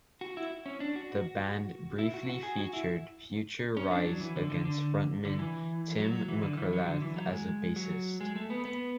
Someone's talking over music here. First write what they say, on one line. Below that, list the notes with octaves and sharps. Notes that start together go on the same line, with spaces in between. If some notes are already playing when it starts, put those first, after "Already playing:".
The band briefly featured future Rise Against frontman Tim McIlrath as a bassist.
F#4
E4
C#4
D4
F#4
E4
F#4
F#4
G#4
F#4
E4
C#4
D4
F#3
E3
D3
D3
D3
D3
E3
F#3
F#3
E3
D3
E3
F#3
D3
E3
F#3
G#3
F#3
G#3
A3
B3
B3